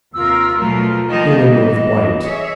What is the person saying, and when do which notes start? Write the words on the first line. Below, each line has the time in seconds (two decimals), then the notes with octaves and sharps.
Feeling of white.
0.14 D#2 C3 F4 A#4 E6
0.57 B2 F3 F#3 A3 F4 A#4
1.08 D#3 F3 G3 A#3 B3 D#4 D#5
1.44 E3
2.22 G#4 C#5 E5